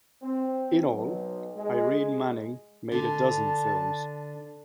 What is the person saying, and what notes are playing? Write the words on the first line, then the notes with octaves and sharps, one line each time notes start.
In all, Irene Manning made a dozen films.
C4
B1
G#3
D3 A5